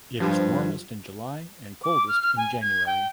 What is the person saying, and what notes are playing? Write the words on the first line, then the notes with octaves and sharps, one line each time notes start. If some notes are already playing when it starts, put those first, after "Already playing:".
It is warmest in July and coldest in January.
G2 F3
D6
F6
F6
G#5
G#6
G5